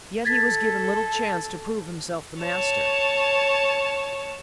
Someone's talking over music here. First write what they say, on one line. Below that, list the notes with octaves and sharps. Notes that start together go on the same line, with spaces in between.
Yet he was given little chance to prove himself the master.
A4 G#6 A6 B6
C#5 A5